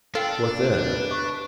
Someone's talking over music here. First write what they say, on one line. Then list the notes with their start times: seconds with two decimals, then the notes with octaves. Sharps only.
"What then?"
0.15 D4 F4 A4 F5 G5
0.88 B4
1.11 D#5 C#6 D6